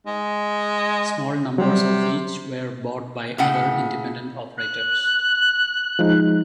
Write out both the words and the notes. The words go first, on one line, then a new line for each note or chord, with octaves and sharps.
Small numbers of each were bought by other independent operators.
G#3
C3 F#3 G3
A2 C#3 F#5
F#6
F3 G#3 D#4